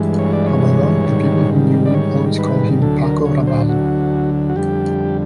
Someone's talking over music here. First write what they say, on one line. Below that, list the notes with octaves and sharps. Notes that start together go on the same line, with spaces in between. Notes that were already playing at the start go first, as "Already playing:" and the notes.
However, the people who knew him always called him Paco Rabal.
Already playing: G2 E3 G#3
C#5
D5
C#5
G#2 D#3 G3
D5
C#5
B4
D2 D3 F#3 A4
A#4
C#5
C5
F#4
F#4
F2 D3 G3 G4